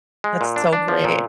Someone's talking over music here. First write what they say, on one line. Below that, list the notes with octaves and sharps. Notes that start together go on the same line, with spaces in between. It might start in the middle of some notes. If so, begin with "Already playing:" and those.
That's so great.
G#3
A#2
D4
D4
F3
A#2